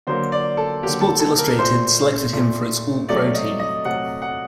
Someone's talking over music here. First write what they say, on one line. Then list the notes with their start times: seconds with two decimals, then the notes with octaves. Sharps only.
"Sports Illustrated" selected him for its All-Pro Team.
0.07 D3 F#3 A#3 C5
0.32 D5
0.57 A4
0.83 D3 F#3 A#3 G4
1.01 A4
1.20 A4
1.39 A#4
1.59 A#2 A3 C5
2.33 A#2 A3
3.09 C3 F#3 A3 D5
3.34 D#5
3.59 D#5
3.84 C3 F#3 A3 F#5
4.22 F#5